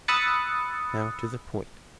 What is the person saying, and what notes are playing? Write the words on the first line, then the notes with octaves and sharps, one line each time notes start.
Now, to the point.
B5 D#6 E6 F#6 A6 C#7